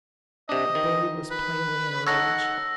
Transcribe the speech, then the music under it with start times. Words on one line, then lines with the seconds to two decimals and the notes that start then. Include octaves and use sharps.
The bully was plainly in a rage.
0.49 C3 D4 D#5
0.75 D#3
1.31 B4
2.07 D#4 A4 C#5 F#5 E6 A#6